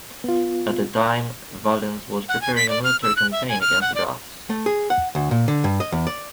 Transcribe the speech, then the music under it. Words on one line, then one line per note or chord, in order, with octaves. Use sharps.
At the time, Valens was preparing a military campaign against the Goths.
B3 F4
F#5
G#5
B6
D5
F6
E6
F#6
E5
G#5
F6
F#5
D5
A3
G#4
F#5
D2
A#2
D3
G2
D#5
E2
D5